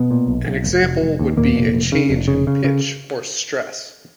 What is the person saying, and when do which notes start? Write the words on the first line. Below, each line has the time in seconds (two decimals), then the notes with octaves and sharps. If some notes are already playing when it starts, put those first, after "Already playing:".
An example would be a change in pitch or stress.
Already playing: B2 B3
0.11 A#2
0.28 B1
0.46 B1
0.64 F1
0.82 F1
1.01 F1
1.19 D#2
1.37 D#2 A#2 A#3
1.56 F1
1.74 F1
1.92 C#3
2.10 F1
2.28 C#3
2.47 C#3
2.64 C#3